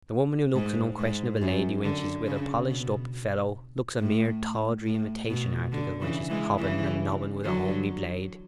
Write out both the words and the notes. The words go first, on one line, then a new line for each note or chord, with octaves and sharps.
The woman who looks an unquestionable lady when she's with a polished-up fellow, looks a mere tawdry imitation article when she's hobbing and nobbing with a homely blade.
G#2
G#2
F#2
D3
C#3
B2
A2
A2
B2
D3
C#3 E3
E3 G#3
C#3 E3
D3 F#3